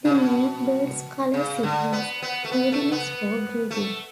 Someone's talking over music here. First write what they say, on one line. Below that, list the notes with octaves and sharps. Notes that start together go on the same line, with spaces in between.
The male bird's color signals readiness for breeding.
C#3
B2
C#3
D3
B3
B3
A3
B3
A3
B3
A3